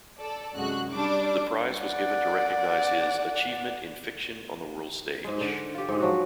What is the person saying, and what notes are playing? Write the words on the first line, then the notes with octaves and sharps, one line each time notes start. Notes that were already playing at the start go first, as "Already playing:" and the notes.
The prize was given to recognise his "achievement in fiction on the world stage".
A4 D5
F#2 C3 G#3 F#4 F#6
G3 D4 D6
D5 F#5
G#2 G#3
D3 C5
F4 G4
G#2 G#3
F3 F#3 F#4